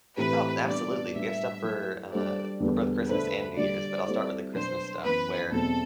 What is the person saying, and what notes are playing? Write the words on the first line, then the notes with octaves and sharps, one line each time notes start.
Oh, absolutely. We have stuff for, uh for both Christmas and New Year's, but I'll start with the Christmas stuff where,
A2 E3 A3 C4 G4 B4
G3 B3 D4 D5
A2 G3 D4 G4 B4 E5
F#3 A3 E4
G3 D4 A4 C5 D5
E2 D3 G3 B3
D3 A3 D4 A4 B4 C5
D3 G3 D4 G4 D5
G3 C4 E4 A4 C5
B2 F#3 B3 D4 C5
F#2 E3 B3 B4
E2 B2 F#3 A3 C4 A4